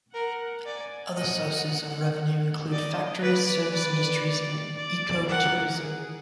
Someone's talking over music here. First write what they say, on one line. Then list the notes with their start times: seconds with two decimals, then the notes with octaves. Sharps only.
Other sources of revenue include factories, service industries and ecotourism.
0.14 A#4 F#5
0.66 D5 G#5
1.17 D#5 F#5
2.71 D5 D#5
3.22 B4 D5
3.74 B4 D5
4.26 D5
4.78 D5
5.28 A#4 F#5
5.80 G#4